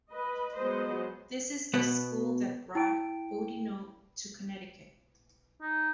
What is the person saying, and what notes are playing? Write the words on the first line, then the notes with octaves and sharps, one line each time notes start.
This is the school that brought Boudinot to Connecticut.
B4 D#5
F#3 G#3 B3 C5 D#5
B2 B3
E4 G5 D7
D#4